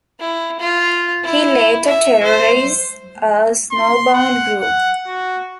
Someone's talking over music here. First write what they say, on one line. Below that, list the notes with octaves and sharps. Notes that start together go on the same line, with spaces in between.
He later terrorizes a snowbound group.
E4
F4
E4
E5
C5
C6
F#5
F#5
F#4